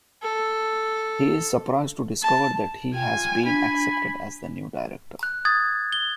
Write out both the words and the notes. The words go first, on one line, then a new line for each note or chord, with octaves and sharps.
He is surprised to discover that he has been accepted as the new Director.
A4
A5
F4 G5 G#5
D4 G#5 B5
F#6
D#6 G#6 A6
G7